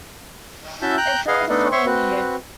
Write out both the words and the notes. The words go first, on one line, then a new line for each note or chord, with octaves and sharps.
It fell the following year.
C#4 E4 F#4 E5 A5 G6
G5 A#5 F#6 G6
G#4 B4 D#5 F5 F#5 G#5
A3 B3 D4 D#4 A4 B4
C5 C#5 E5 C6 C#6
C4 F#4 B4